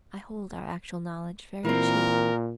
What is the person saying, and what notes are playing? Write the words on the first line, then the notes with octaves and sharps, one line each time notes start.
I hold our actual knowledge very cheap.
A#2 E3 C4 A#4